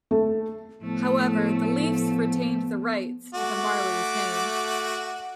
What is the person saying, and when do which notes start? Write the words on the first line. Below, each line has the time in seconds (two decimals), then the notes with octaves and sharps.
However, the Leafs retained the rights to the Marlies name.
0.11 A3
0.82 A2 F3 A3 B3
3.34 A3 F#4 D6